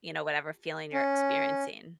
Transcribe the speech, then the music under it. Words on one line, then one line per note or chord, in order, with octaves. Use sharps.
you know, whatever feeling you're experiencing?
C#4